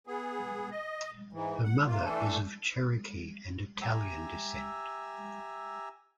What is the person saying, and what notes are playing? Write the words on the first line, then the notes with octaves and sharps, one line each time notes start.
Her mother is of Cherokee and Italian descent.
B3 G#4
D#5
G#2 E3
F#5
C3 A#3 F4
E3 A3 D4 A4
G4 E5 G#5 A#5 E6